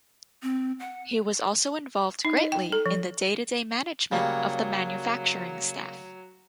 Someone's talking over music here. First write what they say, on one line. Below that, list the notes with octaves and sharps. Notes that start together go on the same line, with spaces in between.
He was also involved greatly in the day-to-day management of the manufacturing staff.
C4
F#5
D#4
D#5
G5
A4
F3
C#3 F#3 G3 A#3